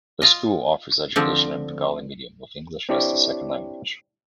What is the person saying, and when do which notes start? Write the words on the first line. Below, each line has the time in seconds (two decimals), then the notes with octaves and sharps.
The school offers education in Bengali medium with English as the second language.
0.22 F4 D#5
1.16 D3 F3 C4
2.89 C4 D4 E4 G4 C#5 D5